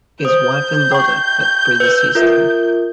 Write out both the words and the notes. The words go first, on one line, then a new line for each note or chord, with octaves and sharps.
His wife and daughter had predeceased him.
C5 D#6 G6
G5 C#6
B4
F4 A#4 E5